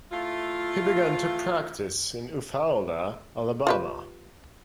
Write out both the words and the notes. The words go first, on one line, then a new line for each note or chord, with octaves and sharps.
He began to practise in Eufaula, Alabama.
A3 E4 F4
F4 G4 B4